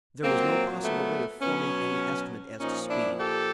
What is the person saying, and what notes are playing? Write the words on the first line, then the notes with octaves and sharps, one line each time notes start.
There was no possible way of forming any estimate as to speed.
A#2 F#3 A#3 C4
A3 B3
B2 F#3 B3 C#4
A#2 F3 C#4 D#4
D4 E4
G4 A4